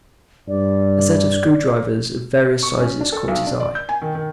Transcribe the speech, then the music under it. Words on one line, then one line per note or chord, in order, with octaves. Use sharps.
A set of screw-drivers of various sizes caught his eye.
G2 D5
C#6
C#4
D4
A4
B1
D4
D5
G6
G#5
D#3
D#3